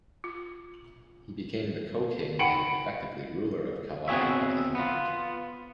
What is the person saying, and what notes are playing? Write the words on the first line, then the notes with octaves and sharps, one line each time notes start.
He became the co-king and effectively ruler of Kauai by his marriage.
F4
D#4 F#5 G5 B5 C#7 D7 F#7
B3 C4 F#4 G#4 C#5 E5
B3 F4